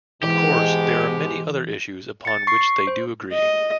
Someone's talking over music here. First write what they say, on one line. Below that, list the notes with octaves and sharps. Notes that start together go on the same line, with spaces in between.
Of course, there are many other issues upon which they do agree.
G#2 B2 E3 G#3 G4
A6 C#7
C#6 C7
C5
D#5